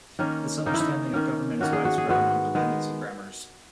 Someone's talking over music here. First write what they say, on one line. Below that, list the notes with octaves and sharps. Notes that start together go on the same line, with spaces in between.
This understanding of government is widespread among dependency grammars.
D#3 A#3 C#4
D#3 A#3 C#4 D#4
E4
D#4
D#3 A#3 C#4
D#3 A#3 C#4 F#4
G#4
F#4
G#4
G#2 D#3 G#3 B3 F#4
D#3 G#3 B3